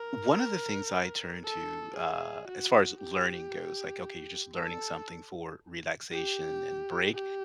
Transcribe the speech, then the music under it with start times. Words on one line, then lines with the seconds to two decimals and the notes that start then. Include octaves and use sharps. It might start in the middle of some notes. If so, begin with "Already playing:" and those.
One of the things I turn to, uh, as far as learning goes, like, okay, you're just learning something for relaxation and break,
Already playing: A#4
1.45 A4
1.97 G#4
2.48 F#4
3.00 G4
4.56 A4
6.11 G4
7.14 G4